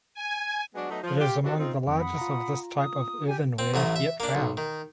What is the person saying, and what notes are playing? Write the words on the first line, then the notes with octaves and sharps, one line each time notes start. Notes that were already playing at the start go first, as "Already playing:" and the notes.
It is among the largest of this type of earthenware yet found.
G#5
F#3 G#3 B3 D4 F#4
F#3 A3 B3 D#4
F3
F4 G4
C3 E3 F#3 D4 F#4 A4
C4 D#4 F4
F2
F#5 B5 D#6
F4 A#5
D#6
G4 G#5
C4
A1 F#3 A3 D#6
E5
A#3 D4
B1
D#3